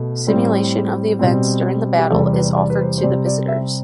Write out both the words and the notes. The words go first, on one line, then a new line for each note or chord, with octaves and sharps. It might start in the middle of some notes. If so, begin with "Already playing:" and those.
Simulation of the events during the battle is offered to the visitors.
Already playing: B2 A3
A2 G3 C4
B2 G3 C4
G4
E2 C3 G3 A4
B4
D5
B4
C5
C5
C3 G3 C4 D5
D5
E5